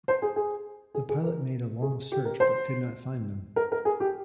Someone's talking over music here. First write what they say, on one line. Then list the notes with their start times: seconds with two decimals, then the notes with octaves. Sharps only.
The pilot made a long search but could not find them.
0.08 C5
0.22 G#4
0.36 G#4
0.94 G#4
1.09 G#4
1.24 A#4
1.82 G#4
2.12 G4
2.25 A#4
2.40 C5
3.56 A#4
3.72 A#4
3.85 G#4
4.00 G4